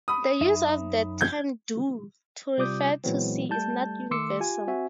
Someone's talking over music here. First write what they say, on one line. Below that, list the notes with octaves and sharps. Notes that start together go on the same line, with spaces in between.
The use of the term "Do" to refer to C is not universal.
B5 D#6
F#2 D#4 E5
G6 G#6
C3 G3 F4 D6 D#6 G6
A#2 E3 F#3 G#3 B3 C4
G3 A3 A5 G6
D#3 A3 C6 D6 E6 C#7
F4 G4 G#5
C4 F#4 E5 F#5 G#5